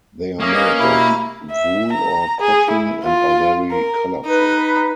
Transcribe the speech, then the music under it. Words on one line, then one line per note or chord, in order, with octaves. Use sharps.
They are made of wool or cotton and are very colorful.
A#3 C#4 E5 G#5 D#6
B4 D#5 F5
B2 E4 F#4 G4
E5
A#5
G#4
E4
F4
A#4
D#4 B4